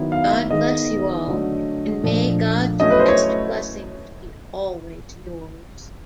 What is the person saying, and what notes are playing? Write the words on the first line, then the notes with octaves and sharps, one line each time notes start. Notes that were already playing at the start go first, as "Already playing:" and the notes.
God bless you all and may God's best blessings be always yours.
Already playing: D#3 F#3 B3 E4
F5
E5
D#3 G#3 B3 D#5
D3 F#3 A3 D4
A#2 F3 A3 D4
F#3 A3 C#4 E4 D#5
B4
C5
C#5